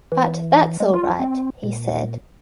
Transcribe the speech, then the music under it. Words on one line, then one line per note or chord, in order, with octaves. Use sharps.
"But that's all right," he said.
E3
G#3
F4
C4
A#2